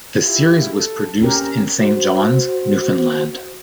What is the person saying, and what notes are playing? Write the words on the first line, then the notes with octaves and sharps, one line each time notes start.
The series was produced in Saint John's, Newfoundland.
E4 F4 G4
A4
C4 C#4 G4 A#4 A#5
F#4 C5